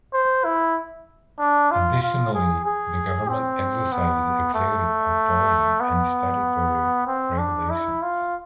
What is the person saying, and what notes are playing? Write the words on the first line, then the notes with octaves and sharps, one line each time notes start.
Additionally, the government exercises executive authority and statutory regulations.
C5
E4
D4
F4
F4
G#4
G#4
C4
B3
A3
B3
C4
D4
E4
F4